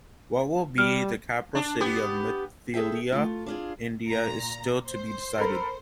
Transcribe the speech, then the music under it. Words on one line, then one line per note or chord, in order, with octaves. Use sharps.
What will be the capital city of Mithila, India is still to be decided.
G3 F6
D4
B3 G4
G#4 A4 E5 G5
A3 F4
D4 F4 G#4
A#2 A#5
C5
A4 A#4 B5